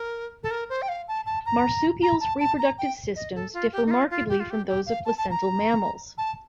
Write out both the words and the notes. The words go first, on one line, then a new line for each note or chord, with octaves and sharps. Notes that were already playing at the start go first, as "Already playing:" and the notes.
Marsupials' reproductive systems differ markedly from those of placental mammals.
Already playing: A#4
A4
A#4
C5
G5
F5
A5
A5
A#5
A#5
A5
A5
A#5
G5
D#5
A4
F4
G4
D#4
F4
F4
G4
F4
G4
G4
F5
A5
A5
A#5
A5